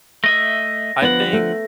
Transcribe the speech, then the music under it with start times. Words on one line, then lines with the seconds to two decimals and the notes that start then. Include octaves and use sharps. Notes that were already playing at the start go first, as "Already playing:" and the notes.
I think
0.24 A3 D#5 E5 A#6
1.02 D3 F3 B3 F#5
1.33 A3